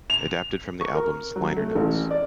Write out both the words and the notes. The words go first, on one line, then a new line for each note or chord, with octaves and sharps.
Adapted from the album's liner notes.
F7
C#6
A#4
F#3
A3
A1
D5